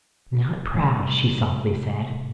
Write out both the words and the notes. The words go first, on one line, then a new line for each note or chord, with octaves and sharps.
"Not proud," she softly said.
A2 C3 G3